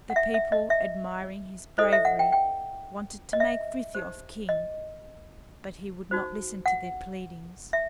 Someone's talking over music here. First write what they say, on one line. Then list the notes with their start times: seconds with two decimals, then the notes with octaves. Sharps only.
The people, admiring his bravery, wanted to make Frithiof king, but he would not listen to their pleadings.
0.10 F#5
0.16 E5
0.34 E5
0.52 D#5
0.70 E5
1.78 E4 A4 C5 D#5
1.93 E5
2.05 F#5
2.19 G5
2.32 G5
3.33 D#5
3.40 E5
3.95 D#4 G4 C5
4.49 D#5
6.11 D#4 F#4 C5
6.66 F#5
7.73 E5